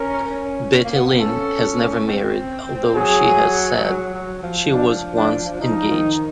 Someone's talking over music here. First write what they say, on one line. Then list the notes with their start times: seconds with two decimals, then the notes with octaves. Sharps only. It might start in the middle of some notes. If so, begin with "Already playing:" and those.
Betty Lynn has never married, although she has said she was once engaged.
Already playing: C#4 A#4
0.30 C#4
0.84 A#3
0.96 B3
1.07 C4
1.18 C#4 A4
2.07 C4
2.95 F#3 G#4
3.85 F#3
4.14 F#3
4.43 F3
4.73 D4
5.17 D4
5.61 F3 D#4
5.90 D#3